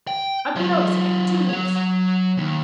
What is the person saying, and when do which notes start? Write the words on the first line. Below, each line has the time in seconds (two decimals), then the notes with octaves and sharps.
I've been noticing it for two weeks.
0.07 G5
0.56 F#3 F4
1.49 F#3 C#5
2.37 D#2 D#3